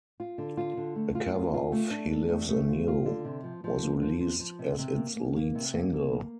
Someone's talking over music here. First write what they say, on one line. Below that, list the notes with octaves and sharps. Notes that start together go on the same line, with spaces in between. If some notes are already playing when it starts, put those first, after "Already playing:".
A cover of "He Lives in You", was released as its lead single.
F4
D3
F4
D3
A3
F4
F4
F4
A3
D4
D4
A3
A3
F4
F4
D3
C3
F3
F3
A#3
F3
F3
F3
C3
C3
A#3
A#3
A#3
C3
A#3
A#3
A#3